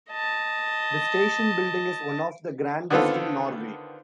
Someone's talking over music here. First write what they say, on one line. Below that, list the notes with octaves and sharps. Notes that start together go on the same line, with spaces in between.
The station building is one of the grandest in Norway.
D#5 A5
D3 D#3 B3 C4 F4 A4